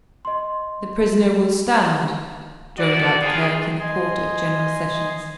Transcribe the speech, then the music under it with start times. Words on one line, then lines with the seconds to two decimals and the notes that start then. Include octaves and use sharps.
"The prisoner will stand," droned out the clerk in the Court of General Sessions.
0.25 D#5 C6
2.78 F2 A#2 F#4 D5
3.21 A#3 B3 F4 G#4
3.80 D#5 G#5 C6